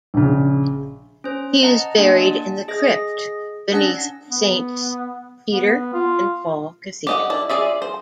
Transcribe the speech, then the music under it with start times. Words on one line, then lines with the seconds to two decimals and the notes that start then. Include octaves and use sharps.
He is buried in the crypt beneath Saints Peter and Paul Cathedral.
0.14 A#1 C#3
1.24 C#4 C5
1.63 D#5 F#5 A5 A#5
1.97 A#3 D4 D#5 F#5 G#5
2.14 A5
2.68 G#4 D#5 A#6
3.72 C#4 D4 F#5 A5 A#6
4.29 B3
5.51 B3
5.94 F4
7.07 G4 D#5 F#5
7.30 D4 E4
7.49 F4 G#4 D5 E5
7.82 C5